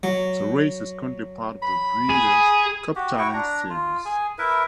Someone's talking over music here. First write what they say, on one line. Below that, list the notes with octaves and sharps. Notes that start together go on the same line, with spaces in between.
The race is currently part of the Breeders' Cup Challenge series.
F#3
B5
G#4
F#4 G4
E4 F#4 G5 C#6
D4 A#5
F4
G#4 G#5
E4 A#4 B4 E5